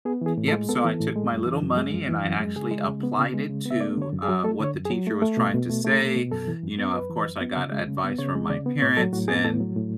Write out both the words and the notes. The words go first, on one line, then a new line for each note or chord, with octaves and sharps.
Yep, so I took my little money and I actually applied it to, uh, what the teacher was trying to say, you know, of course, I got advice from my parents, and,
B3 G#4
E3 G#4
A2
A4
G#3
B3 A4
E3
A2
G#3
F#2
E3
F#2
G#3
F#2
E3
F#2
G#3
C#3 G#4
G#3
C#3
B3
C#3
G#3
C#3
B3 E5
A3 D5
D3 C#5
F#2
G#4
F#3
A3 A4
D3 C#5
F#2
G#4
F#3
A3
A3
B2
B2
A3
A3
B2
B2
F#2 A4
E3
F#2
B3
F#2 B4
E3
F#2
B3
C#3
G#3
C#3
B3
C#3 C#5
G#3
C#3 D5
B3
A2 C#5
F#3 A4
A2 F#4
B3 G#4
A2 A4
F#3
A2